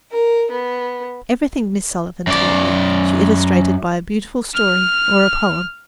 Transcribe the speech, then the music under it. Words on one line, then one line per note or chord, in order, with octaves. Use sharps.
Everything Miss Sullivan taught me she illustrated by a beautiful story or a poem.
A#4
B3
F#2 D5
F6